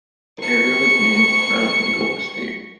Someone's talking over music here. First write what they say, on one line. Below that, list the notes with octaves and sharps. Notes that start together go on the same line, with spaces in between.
The area was named Mount Eagle Estate.
C#6 C#7